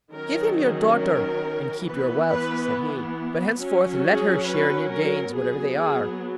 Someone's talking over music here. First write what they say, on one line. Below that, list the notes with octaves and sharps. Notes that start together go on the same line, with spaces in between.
'Give him your daughter and keep your wealth,' said he; 'but, henceforward, let her share in your gains, whatever they are.'
D#3 F#3 C#4 A#4
G#4
A#4
E3 B3 B4
B4
F#3 C#4
G#4
B4
A#4
F#3 B3 G#4
G#4